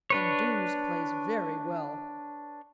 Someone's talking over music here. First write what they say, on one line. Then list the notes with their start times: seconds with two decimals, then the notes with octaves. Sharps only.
And Doos plays very well.
0.10 D4 B4 C#5